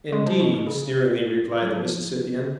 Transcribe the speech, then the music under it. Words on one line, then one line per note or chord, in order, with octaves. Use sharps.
"Indeed!" sneeringly replied the Mississippian.
G#3
F3
B2
B2
C#3
F#3
F3